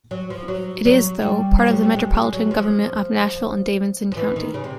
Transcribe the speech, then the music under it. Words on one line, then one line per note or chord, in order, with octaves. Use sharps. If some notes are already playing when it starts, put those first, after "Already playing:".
It is, though, part of the Metropolitan Government of Nashville and Davidson County.
F#3
F3
F#3
F#3
G3
F3
F#3
G3
G#3
G#3
F#3
F3
F3
E3
D#3
C#3
C3